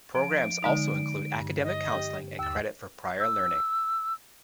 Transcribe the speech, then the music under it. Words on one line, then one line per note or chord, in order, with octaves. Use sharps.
Programs also include academic counseling and credit for prior learning.
F3 D7
D3 G#3 D#4
G2
D#5
G4 G5
D#2 E6 A6
E6